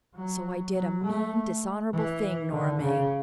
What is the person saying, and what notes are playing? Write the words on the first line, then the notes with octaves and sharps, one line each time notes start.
So I did a mean, dishonourable thing, Nora May.
F#3
F#3
A3
E3
D3
C#3